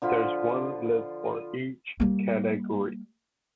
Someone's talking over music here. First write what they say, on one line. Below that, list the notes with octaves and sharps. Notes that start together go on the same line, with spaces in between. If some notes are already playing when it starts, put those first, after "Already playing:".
There is one list for each category.
D3 F3 F4 B5
G3 A#3